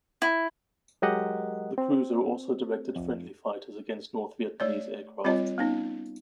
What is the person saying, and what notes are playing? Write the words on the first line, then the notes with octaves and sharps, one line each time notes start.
The cruiser also directed friendly fighters against North Vietnamese aircraft.
E4
F#3 G#3 G4 A#4 D#5 F#5
C4
F2
A3 C#5 D5
G3 C4 F4 C#5 D#5
B3 C#4 D#4